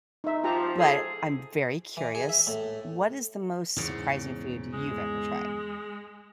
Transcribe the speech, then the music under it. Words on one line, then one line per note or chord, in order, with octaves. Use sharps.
but I'm very curious. What is the most surprising food you've ever tried?
D#4 E5
F3 F4 G4 A#5
G#2 G#4 A4
E3
G#4
E5
A2
E2 G#2 C#3
G#3